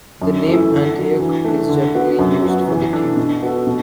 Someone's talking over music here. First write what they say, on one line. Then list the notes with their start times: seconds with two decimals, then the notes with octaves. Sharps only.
The name "Antioch" is generally used for the tune.
0.22 F#2
0.47 E3 A3 E4 A4
0.71 D3
0.95 F#3 D4
1.20 E3
1.44 A3 D4
1.69 D3
1.95 B3 F#4
2.19 F#2
2.43 F#3 B3 F#4
2.68 E3
2.93 D4 A4
3.17 B2
3.43 B3 F#4 A4
3.67 B2